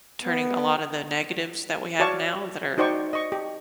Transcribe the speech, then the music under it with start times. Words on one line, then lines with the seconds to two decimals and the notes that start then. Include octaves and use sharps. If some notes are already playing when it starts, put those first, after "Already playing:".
turning a lotta the negatives that we have now that are
0.23 B3
2.00 F#4 C#5 D5 F5 A5 C#6
2.78 D#4 F#4 C5 D5 G5 C#6
3.13 D#5 C#6
3.32 G4